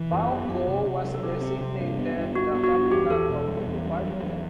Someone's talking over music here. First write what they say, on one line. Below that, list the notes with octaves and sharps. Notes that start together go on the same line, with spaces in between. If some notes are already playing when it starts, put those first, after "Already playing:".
Boaco was designated the capital of the department.
Already playing: E3
F#2 B4
B3 G4
F#2 G4
C3
C3
F#3
A4
C3 G4
C4
C3
G2
B3
G2
G2 F#4
B3
F#4
G2
E2 G4
E2 A4
B2
G3
E2
G3
F#3
E2